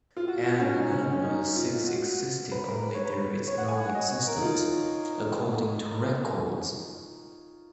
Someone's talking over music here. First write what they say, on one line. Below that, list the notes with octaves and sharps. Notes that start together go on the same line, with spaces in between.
And Nemonymous Six existed only through its non-existence, according to records.
F4
F#4
F4
C#4
D#4
C#4
C#4
D#4
F4
F#4
B4
A#4
B4
C#5
B4
C#5
F#5
G#5
F#5
D#5
C#5
A#4
D#4
F4